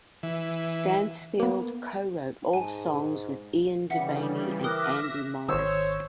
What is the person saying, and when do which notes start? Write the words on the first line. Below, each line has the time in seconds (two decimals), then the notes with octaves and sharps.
Stansfield co-wrote all songs with Ian Devaney and Andy Morris.
0.23 E3
1.40 A#3 B3
2.53 G#2 G#5 A5
3.90 C#3 E3 G3 E5 F#5 C#7
4.64 A#4 E5 G5 D6 D#6 F6 F#6 A#6
5.48 G#1 D#3 C5 C#5 E6